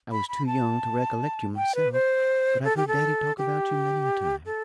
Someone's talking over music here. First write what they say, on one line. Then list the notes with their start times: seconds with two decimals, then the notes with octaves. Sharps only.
I was too young to recollect you myself; but I've heard daddy talk about you many a time.
0.11 B5
0.29 B5
0.47 A5
1.56 G5
1.75 B4
1.93 C5
2.65 A4
2.77 G4
2.88 A4
3.38 G4
4.46 A4